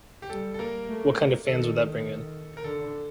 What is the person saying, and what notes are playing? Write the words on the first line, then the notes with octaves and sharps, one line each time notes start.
What kind of fans would that bring in?
G4
G3 A4
A4
A#3 A#4
A3
D#3 A4
A#4
D3 A4